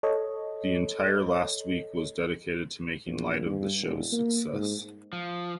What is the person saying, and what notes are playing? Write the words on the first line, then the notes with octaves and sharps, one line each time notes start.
The entire last week was dedicated to making light of the show's "success".
A4 C#5 D#5
A#1
G2
E1
A#3
G#2
F3